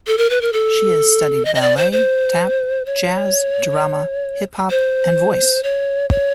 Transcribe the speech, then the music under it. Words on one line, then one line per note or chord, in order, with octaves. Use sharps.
She has studied ballet, tap, jazz, drama, hip-hop, and voice.
A4
A#4
B4
A#4
A4
D#5
D#5
D5
C5
C5
C#5
C5
C#5
C#5